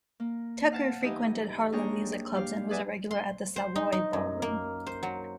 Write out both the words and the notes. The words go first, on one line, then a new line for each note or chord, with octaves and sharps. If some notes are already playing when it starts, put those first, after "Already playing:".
Tucker frequented Harlem music clubs and was a regular at the Savoy Ballroom.
A#3
F5 F#5 A5
E3 D#4 G4 D#5
A#3 D4 G#4 C#5 G5 A#5
G3 G4 F5
G#4 B4 D5 E5 F#5 G#5
C6
C5
D#4
D#4
F#2
A#3
C5
F#3